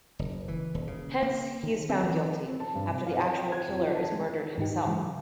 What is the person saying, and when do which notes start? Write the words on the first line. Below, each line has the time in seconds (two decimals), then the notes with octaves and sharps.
Hence, he is found guilty, after the actual killer is murdered himself.
0.19 F#1
0.48 E3
0.74 D#1
0.87 C#3
1.23 A#3
1.63 D#3
1.89 C4
2.04 E3
2.48 C4
2.60 A5
2.75 G2
2.88 C3
3.06 F5
3.19 C#5
3.39 G5
3.52 G#6
3.68 F2
3.81 F3
3.95 A5
4.12 G#3
4.58 G#2 D#3 D#4 G4
4.85 C#3 E3 F#3 G#3